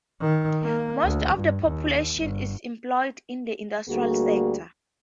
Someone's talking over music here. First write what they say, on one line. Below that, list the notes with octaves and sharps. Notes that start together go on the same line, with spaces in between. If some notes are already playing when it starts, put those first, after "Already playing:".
Most of the population is employed in the industrial sector.
D#3
A#3
D2
G2
D#2
G1
D2 G3 A#3 F#4 G#4